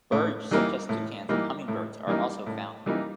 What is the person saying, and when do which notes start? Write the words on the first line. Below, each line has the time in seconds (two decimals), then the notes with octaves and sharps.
Birds such as toucans, and hummingbirds are also found here.
0.12 A2
0.51 E3 G3 A#3 D#4
0.89 A2
1.29 E3 G3 A#3 D#4
1.68 A2
2.07 E3 G3 A#3 D#4
2.47 A2
2.86 E3 G3 A#3 D#4